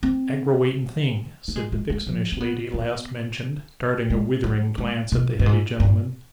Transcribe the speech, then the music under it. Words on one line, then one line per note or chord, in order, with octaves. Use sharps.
'Aggrawatin' thing!' said the vixenish lady last-mentioned, darting a withering glance at the heavy gentleman.
C4
B3
G#3
G#3
G#3
F3
C4
B3
B3
G#3
G3
G#3
B2
G2
G#2
G2